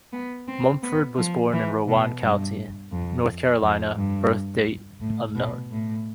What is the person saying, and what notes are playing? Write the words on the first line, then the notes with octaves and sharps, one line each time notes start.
Mumford was born in Rowan County, North Carolina, birth date unknown.
B3
C4
B3
F3
E3
B2
G2
F2
F2
G2
A2
B2
A2